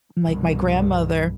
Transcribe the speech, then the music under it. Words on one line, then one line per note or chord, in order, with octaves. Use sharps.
my my grandmother
C2 G2 B2